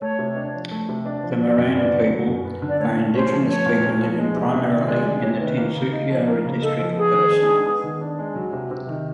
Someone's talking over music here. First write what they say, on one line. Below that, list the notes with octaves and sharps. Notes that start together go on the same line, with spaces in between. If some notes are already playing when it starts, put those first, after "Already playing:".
The Moran people are indigenous people living primarily in the Tinsukia district of Assam.
A3 C#5
C3
D4
F3
A3
C3
D4
F3
F#3 D5
F#2
B3 D5
D3
F#3
F#2
B3
D3
D5
A3 C#5
A#2
C#4 C5
F3
A3 C#5
A#2
C#4
F3
G#3
C3
C3
D#3
G#3 D5
C3 D5
C3 C#5
D#3 B4
A#3
C#3
D#4
F3
A#3 A#4
C#3
D#4 A4
F3
B3 G#4
D#3
D4
G#3
B3
D#3
D4
G#3
F#3
C3
C3
D#3